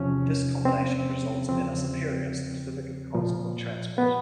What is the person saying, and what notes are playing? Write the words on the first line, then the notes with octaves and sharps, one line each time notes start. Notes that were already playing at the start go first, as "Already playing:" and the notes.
This combination results in a superior "specific cost of transport".
Already playing: E2 C3 F3 C#4
C4
E2 C#3 F3 C4
A#2 F3
B3